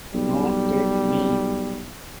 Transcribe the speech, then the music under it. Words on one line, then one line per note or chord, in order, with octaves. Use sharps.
Noh Tek Mi!
B1 G3